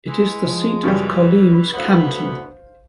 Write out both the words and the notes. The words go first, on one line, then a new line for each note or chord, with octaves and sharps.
It is the seat of Colimes Canton.
E3 G#3
F3
F#2 C#3 E3 G3
B5
D2 B3 C5 F5